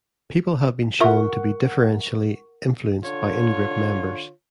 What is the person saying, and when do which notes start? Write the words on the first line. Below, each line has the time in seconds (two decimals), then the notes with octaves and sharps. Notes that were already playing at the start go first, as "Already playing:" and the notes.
People have been shown to be differentially influenced by ingroup members.
1.00 F4 A#4 E5 F#5 C#6
3.03 D3 F4 C#5